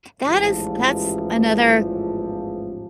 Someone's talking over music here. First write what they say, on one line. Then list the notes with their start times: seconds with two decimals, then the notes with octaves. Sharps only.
That is that's another,
0.24 A1 E2 G#2 E3 F3